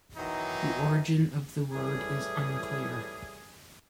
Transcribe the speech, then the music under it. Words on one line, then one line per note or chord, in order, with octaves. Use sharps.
The origin of the word is unclear.
D#3 E3 F#3 D#4
A2 E3 G3 G4 G#4